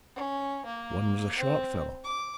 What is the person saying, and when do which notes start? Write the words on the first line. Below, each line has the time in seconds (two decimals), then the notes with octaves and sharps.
One was a short fellow.
0.16 C#4
0.65 A#3
1.38 C4
2.04 D6